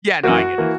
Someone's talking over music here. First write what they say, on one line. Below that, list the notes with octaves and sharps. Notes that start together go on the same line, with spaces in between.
Yeah, no, I get it.
F#2 E3 A#3 F#4
E3 A#3